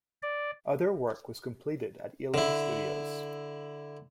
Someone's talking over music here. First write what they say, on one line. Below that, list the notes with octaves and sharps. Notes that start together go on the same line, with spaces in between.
Other work was completed at Ealing studios.
D5
D3 E4